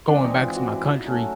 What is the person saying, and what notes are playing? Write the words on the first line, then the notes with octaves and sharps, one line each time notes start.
going back to my country
E3 G#3 C4 D4
D#4
F4
F#4
E4
D#4
F#3 A3 C#4 D#4 F#4 A4